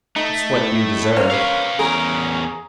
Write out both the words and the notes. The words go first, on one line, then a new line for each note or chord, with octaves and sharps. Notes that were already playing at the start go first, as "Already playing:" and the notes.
"It's what you deserve."
A3 D#4
A2
A#3 C#4 C5 C#5
B4 F5
E2 C#4 G#4 A#4 A#5